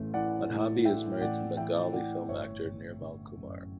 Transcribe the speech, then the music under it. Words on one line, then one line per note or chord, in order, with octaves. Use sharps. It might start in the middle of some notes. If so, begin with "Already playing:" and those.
Madhabi is married to Bengali film actor Nirmal Kumar.
Already playing: A1 A3
E3 D5 F#5
A2
A3 E5 G5
A1 D5 F#5
E3 E5 G5
A2 D5 F#5
G1 C#5 E5
G1
D3
F#2